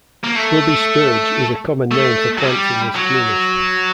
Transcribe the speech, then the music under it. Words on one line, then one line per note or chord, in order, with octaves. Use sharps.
Shrubby-spurge is a common name for plants in this genus.
A#3
A3
A3
F#3
G3
F#3